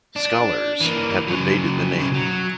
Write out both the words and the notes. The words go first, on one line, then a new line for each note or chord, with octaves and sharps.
Scholars have debated the name.
D4
E3 A#3
C#3 F#3
B1 C#3
F#3